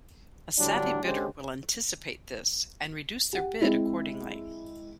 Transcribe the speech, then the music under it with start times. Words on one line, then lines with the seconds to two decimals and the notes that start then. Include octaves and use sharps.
A savvy bidder will anticipate this, and reduce their bid accordingly.
0.58 A2 D3 F#3 G3 D4
1.02 D3 G#3 C#4 G4 C5
3.33 G4 F#5
3.62 G#3 C4 E4